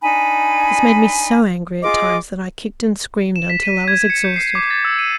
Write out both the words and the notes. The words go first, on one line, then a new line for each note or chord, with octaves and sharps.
This made me so angry at times that I kicked and screamed until I was exhausted.
D4 D#4 G#5 B5
F4 G#4 D#5 D6
E7
B6
D#7
G#6
C#7
G6
C7
D6
A6
E6
D#7